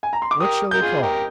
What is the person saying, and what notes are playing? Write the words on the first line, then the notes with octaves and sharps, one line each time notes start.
What shall we call it?
G#5
A#5
C6
D6
G4 A#4 D#6
A#4 G6
F4 G#4
G4 A#4